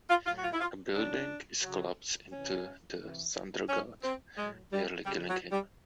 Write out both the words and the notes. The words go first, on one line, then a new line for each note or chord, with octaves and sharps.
A building is collapsed onto the Thunder God, nearly killing him.
F4
A2 F#3 F4
F#4
F4
E4
F4
C#3 F#3 D4
C#3 F#3
C3 E3 C#4
C3 E3
A2 F#3 C#4
C4
A2 F#3 G#3
G3
C#3 F3 G3
F#3
G3